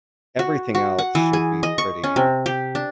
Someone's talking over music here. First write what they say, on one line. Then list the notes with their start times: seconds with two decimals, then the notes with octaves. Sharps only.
everything else should be pretty
0.39 F#4
0.75 F#4
0.99 F#5
1.15 E3
1.33 G#4
1.63 D#5
1.78 C#6
2.04 C#4
2.16 C3
2.46 G4
2.75 D4